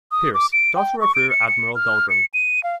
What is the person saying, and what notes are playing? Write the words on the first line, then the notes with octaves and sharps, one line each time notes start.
Pierce, daughter of Rear Admiral Dahlgren.
D#6
D6
D7
G5
C#6
D7
C#7
C#7
F6
C#7
D#7
F5